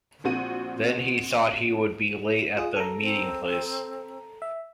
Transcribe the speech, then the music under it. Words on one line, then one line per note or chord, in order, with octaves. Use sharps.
Then he thought he would be late at the meeting-place.
A#1 C4 F#4 D#7
F4 G#4 D#6
A4 A#5
C4
E5